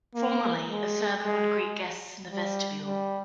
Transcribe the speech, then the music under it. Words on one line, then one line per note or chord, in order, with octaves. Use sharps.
Formerly, a servant would greet guests in the Vestibule.
A#3
G#3
G#3
G3
G3